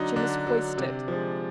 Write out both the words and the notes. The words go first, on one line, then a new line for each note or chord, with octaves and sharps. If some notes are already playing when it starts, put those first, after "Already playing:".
She must hoist it.
Already playing: D3 F#3 D4 D#4
D3 D4
F#3
C3
F3 G#3